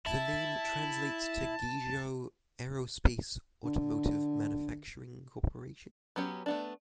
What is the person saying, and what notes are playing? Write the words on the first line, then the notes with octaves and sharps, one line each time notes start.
The name translates to ‘Guizhou Aerospace Automotive Manufacturing Corporation.
E4 A5
D3
F#3 B3 C#4 G4
A3 B3 D4